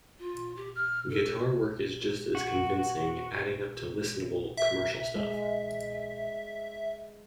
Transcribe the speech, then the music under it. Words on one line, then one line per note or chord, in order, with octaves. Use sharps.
Guitar work is just as convincing, adding up to listenable, commercial stuff.
F4
G4
F6
A4
F#4
E5
G#3